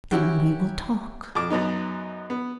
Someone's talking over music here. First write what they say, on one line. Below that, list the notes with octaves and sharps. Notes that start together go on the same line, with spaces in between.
Then we will talk.
C#4 E4 F#4 G4 G5
F2 D6
F#2 F#3 B3 D#4
B3